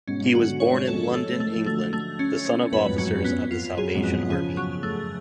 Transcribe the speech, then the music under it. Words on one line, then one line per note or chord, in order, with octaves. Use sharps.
He was born in London, England, the son of officers of The Salvation Army.
G#2 B2 C#4
G#2 B2
D3 F#3 F#4
D3 F#3
C#5
G#3
F#3 A4
F3 G#3
A3
A3
F3
D3 F#3 A3
A3
C#4
C#4
F#2 A2 B4
F2 G#2
F#2 C#4
F2
B3
F4
F#2 G#4
F2 G#2
B3
G#2 B2
C#3 F3 G#4
F#3
A3